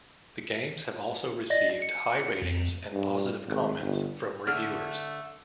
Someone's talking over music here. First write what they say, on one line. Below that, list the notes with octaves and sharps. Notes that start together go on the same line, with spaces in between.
The games have also received high ratings and positive comments from reviewers.
D5 D#5 A#6
C#7
F2
G2
G#1
G1
D3 A3 F6